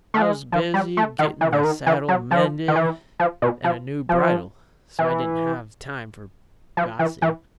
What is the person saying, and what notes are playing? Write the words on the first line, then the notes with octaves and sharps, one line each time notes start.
I was busy getting my saddle mended and a new bridle, so I didn't have time for gossip.
A3
G#3
F3
G3
A3
D#3
E3
D3
D#3
E3
F#3
F3
D#3
E3
F3
B2
F3
F3
E3
F3
E3
E3